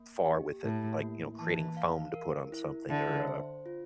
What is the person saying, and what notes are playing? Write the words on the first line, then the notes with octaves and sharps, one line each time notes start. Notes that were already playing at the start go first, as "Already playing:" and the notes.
far with it, like, you know, creating foam to put on something, or, uh
Already playing: A#3
G4
A2 E4
A#3
E3 A5
F5
A#4
E4
D3 E5
C5
F4